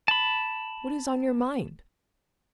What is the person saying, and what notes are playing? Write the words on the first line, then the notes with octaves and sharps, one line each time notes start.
What is on your mind?
A5 B5